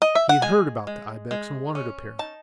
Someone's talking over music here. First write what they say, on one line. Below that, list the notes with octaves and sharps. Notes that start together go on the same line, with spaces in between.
He had heard about the ibex and wanted a pair.
D#5
E5
F#5
G#3 G#5
G#3
G#3
C#4
D#4 A5